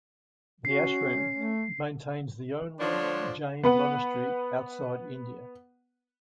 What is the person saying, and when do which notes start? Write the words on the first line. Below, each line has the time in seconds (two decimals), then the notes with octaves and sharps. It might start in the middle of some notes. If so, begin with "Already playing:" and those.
The ashram maintains the only Jain monastery outside India.
0.65 C#4 F#4 C7
1.34 A3
2.80 D3 F3 D4 C5 C#5
3.64 B3 B4 F#5